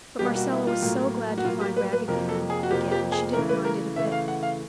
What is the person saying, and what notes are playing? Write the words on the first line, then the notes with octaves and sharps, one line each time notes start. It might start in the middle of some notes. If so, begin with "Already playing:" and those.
But Marcella was so glad to find Raggedy Ann again she didn't mind it a bit.
B2 G3 A#3 G4
F#4
E4
F4
A2 F#3 A#3
F#4
A2 F#3 A#3 F4
G4
B4
B4
F2 C3 F3 A#3 A#4
A4
G#4
F#4
F2 C3 F3 A#3 G4
G4
G#4
C#3 E3 A3 A#4
B4
A#4
C#3 E3 A3 E5
F5
F#5
F5